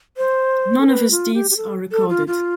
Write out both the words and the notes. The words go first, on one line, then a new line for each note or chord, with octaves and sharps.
None of his deeds are recorded.
C5
A4
B4
F4
G4
G4
A4
A4
F4
F4